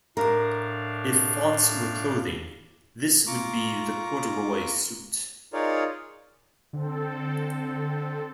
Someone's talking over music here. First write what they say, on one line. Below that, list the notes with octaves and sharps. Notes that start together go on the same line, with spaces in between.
If fonts were clothing, this would be the corduroy suit.
A2 D4 A#4 F5
F4 A#5 C#6 D6
D#4 F4 G#4 A#4 C#5 D5
D3 C4 A4